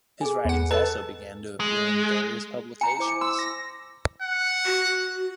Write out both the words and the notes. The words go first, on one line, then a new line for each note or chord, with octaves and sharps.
His writings also began to appear in various publications.
G#4 A4 G#5
E2 F#5
A4 B4 D#5 A5
G#3
G#5 A#5 C#7
E4 C5 D6
C6 E6
A#6
F#5
F#4